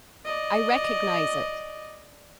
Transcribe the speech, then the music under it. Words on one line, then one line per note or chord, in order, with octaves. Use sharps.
"I recognize it!"
D5 D#5